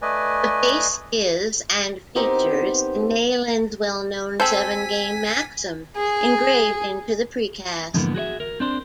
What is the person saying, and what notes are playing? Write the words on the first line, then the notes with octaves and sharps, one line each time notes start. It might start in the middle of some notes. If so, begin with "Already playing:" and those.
The base is and features Neyland's well-known seven Game Maxims engraved into the precast.
A3 B4 D5 D#5 G#5
B3 C4 D#4 G4 A#4 C5
C4 A4 C5 G#5 B6
G#4
F2 G#2 D3 E3 A#3 B3
F#4 G#4 C#5 E5
A#4
C4 D4 C5